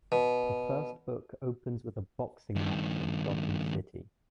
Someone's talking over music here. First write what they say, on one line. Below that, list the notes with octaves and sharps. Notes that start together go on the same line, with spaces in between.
The first book opens with a boxing match in Gotham City.
B2
G2 D#3